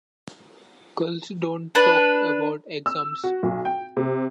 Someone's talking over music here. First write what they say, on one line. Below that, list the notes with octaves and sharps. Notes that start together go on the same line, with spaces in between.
Girls, don’t talk about exams!
D4 B4
E6
F#4
B1
G5
C3